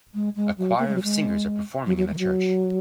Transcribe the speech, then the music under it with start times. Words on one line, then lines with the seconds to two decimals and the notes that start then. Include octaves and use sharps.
A choir of singers are performing in a church.
0.14 G#3
0.36 G#3
0.58 F#3
0.79 A#3
0.87 G#3
0.95 F#3
1.03 G#3
1.86 F#3
1.97 F#3
2.08 G#3
2.14 D#3
2.19 F#3